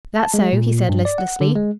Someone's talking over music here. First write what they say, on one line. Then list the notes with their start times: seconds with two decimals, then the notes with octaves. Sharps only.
"That so?" he said listlessly.
0.20 A5
0.34 G#3
0.53 A#2
0.68 A#2
0.89 G2
1.05 D5
1.18 F#5
1.41 D3
1.55 G#3